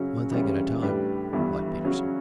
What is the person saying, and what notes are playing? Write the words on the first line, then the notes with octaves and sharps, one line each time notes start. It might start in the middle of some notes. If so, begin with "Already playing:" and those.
"One thing at a time," replied Peterson.
Already playing: F#2 C#3 F#3 C#4 F#4
D2 C#3 E3 G3 C#4
A2 G3 D4 G4 B4
G1 G2 E3 G3 B3
C#3 F#3 C#4 F#4